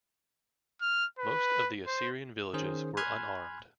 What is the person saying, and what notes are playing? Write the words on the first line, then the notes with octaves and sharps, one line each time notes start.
Most of the Assyrian villages were unarmed.
F6
B4
C5
D#3 C#4 G#4 C5
G#5 B5 C6 F6 F#6 G#6